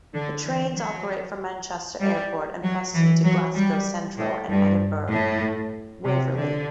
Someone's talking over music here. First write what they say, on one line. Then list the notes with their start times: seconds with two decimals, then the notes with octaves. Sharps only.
The trains operate from Manchester Airport and Preston to Glasgow Central and Edinburgh Waverley.
0.14 D3
0.44 E3
0.76 F#3
2.00 G3
2.63 F#3
2.94 E3
3.24 F#3
3.55 G3
4.18 A2
4.49 G2
5.11 A2
6.04 C3
6.36 D3